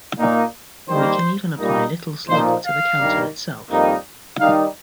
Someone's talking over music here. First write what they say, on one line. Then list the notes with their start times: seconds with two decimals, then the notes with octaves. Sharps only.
We can even apply Little's Law to the counter itself.
0.19 A#2 A#3 D#4
0.89 D#3 G3 A#3 C5
1.59 A#2 G3 A#3 D#4
2.29 A#2 F3 D#4 C5
2.64 F5
2.99 G2 D#3 G3 A#3
3.69 F2 D#3 G3 A#3 D#4
4.40 D#3 G3 D#4 F5